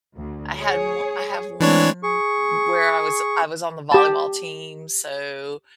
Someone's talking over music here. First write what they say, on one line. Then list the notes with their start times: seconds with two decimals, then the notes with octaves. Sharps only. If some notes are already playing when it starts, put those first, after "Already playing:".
I had o I have one w where I was I was on the volleyball team, so
0.17 D2
0.59 G#4 C#5
1.60 E3 G#3 A3 C4 D4 C#5
2.03 G#4 C#6
3.92 G4 A5